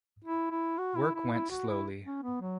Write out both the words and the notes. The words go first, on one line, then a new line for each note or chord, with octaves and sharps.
Work went slowly.
E4
E4
F#4
E4
E4
E4
F#4
E4
C#4
B3
F#3